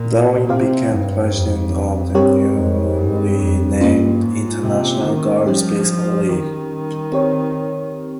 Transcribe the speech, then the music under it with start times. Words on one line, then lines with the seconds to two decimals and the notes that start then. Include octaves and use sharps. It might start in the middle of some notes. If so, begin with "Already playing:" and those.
Darling became president of the newly named International Girls Baseball League.
Already playing: A#2
0.49 C3 C4 G4 C5 F5
0.91 G2
1.32 F2
2.15 G2 G3 C4 G4 A#4 C#5
2.56 F2
2.98 G2
3.40 F2
3.81 G2 A#3 C#4 F4
4.22 G#2
4.64 C3
5.05 D#3
5.46 F3 G3 C#4 G4
6.30 D#3
7.12 C4 G4 C#5